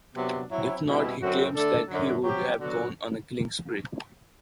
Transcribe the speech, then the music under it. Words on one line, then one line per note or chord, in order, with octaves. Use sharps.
If not, he claims that he would have gone on a killing spree.
C3 F#3 B3 D4 G4
F#3 C4 E4
B2 G3 C4 E4
F#2 D3 F#3 C4 F#4
D3 A3 D4 A4
F#2 D3 F#3
F#3 C4 G4
D3 F#3 B3 F#4